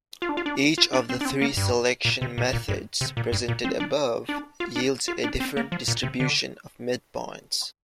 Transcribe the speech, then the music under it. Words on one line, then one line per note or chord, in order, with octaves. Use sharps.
Each of the three selection methods presented above yields a different distribution of midpoints.
F4
D4
F4
D4
F4
D4
C4
D4
C4
A#3
G2
A#2
C3
A#2
A#2
G2
C3
A#2
G2
A#2
C4
D4
D4
F4
D4
F4
D4
C4
A#3
F3
A#2
C3
D3